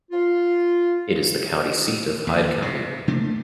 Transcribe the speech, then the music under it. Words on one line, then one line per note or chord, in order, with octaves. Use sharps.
It is the county seat of Hyde County.
F4
D#2
C3
C3 A3 A#3 D4